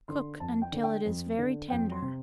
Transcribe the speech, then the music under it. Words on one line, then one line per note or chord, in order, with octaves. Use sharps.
Cook until it is very tender.
D3 C6
F2 A5
G5
D3
G5
F2
D3
F2 G5
C6
C3